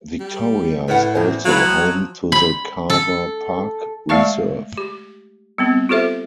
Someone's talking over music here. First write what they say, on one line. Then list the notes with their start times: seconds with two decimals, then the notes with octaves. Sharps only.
Victoria is also home to the Carver Park Reserve.
0.20 G3
0.88 A2 B4 F#5
1.15 E2 E3 C5
1.45 F#3 E4 B4 F5
1.64 F3
2.32 B5
2.90 A4
4.09 G#3 A3 D5 F5 A5 C#6
4.78 G4
5.58 G3 B3 C4
5.89 F4 G4 A4 C5 E5